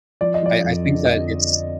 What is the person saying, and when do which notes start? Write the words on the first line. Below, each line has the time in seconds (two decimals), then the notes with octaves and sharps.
I I think that it's
0.21 F3 D5
0.34 D#5
0.43 F3 D5
0.64 F2
0.84 D3
1.05 F2 D#5